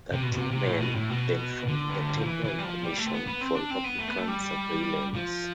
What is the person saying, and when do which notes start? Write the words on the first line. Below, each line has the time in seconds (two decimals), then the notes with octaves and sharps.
The two men then formed the Temporary Commission for Republican Surveillance.
0.12 C3
0.22 B2
0.32 B2
0.37 C3
0.51 C3
0.66 A2
0.80 B2
0.95 A2
1.09 B2
1.67 D3
1.89 B3
1.98 A3
2.07 G3
2.16 F3
2.25 E3
2.44 E3
2.58 G3
2.63 F3
2.83 G3
2.97 A3
3.06 C4
3.12 B3
3.26 B3
3.41 C4
3.55 D4
3.70 C4
3.84 B3
3.98 A3
4.08 B3
4.18 A3
4.28 G3
5.14 F3